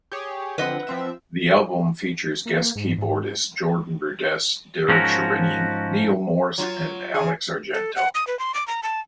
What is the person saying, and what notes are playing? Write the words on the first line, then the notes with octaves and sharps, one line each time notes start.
The album features guest keyboardists Jordan Rudess, Derek Sherinian, Neal Morse, and Alex Argento.
G4 G#4 C#5
D3 F3 C4 B4 D#5 F#5
F3 C4 E5
A#3
G#2
G#2
G#2 F3 C#4 F#4 A#4
F#3 F4 F#4
C#3 G#4
A4
F#5
D#6
B4
C6
D6
A#5
A5